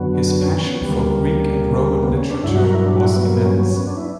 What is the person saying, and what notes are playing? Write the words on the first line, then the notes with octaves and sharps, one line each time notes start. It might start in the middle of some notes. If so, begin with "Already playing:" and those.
His passion for Greek and Roman literature was immense.
Already playing: F#2 D3 F#3 B3
C#4
B3
D2 C#3 G3 B3
A#3
A#3
A#3
B3
C#4
D4
G2 F#3 E4
F#4
A#4
E4
D4
F#4
E4
B3
A#3
B3
C#4
C#4
B3
D4
E4